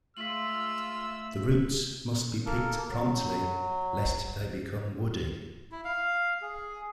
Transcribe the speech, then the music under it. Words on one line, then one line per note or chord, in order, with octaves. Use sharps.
The roots must be picked promptly lest they become woody.
G#3 A3 F4 C6 E6 B6 F#7
A#3 A4 A#4
F#3
E4
F5
G#4